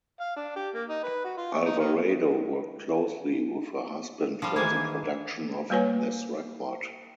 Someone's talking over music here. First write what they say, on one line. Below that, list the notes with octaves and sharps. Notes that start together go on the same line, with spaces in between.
Alvarado worked closely with her husband for the production of this record.
F5
D4
G4
A#3
D#4
B4
F#4
F4
C#6
D#4
D#3
F3 G3
D#3 E3 G#3 A#3 G#6
G3 A#3 F#4 B4 C#5 G#5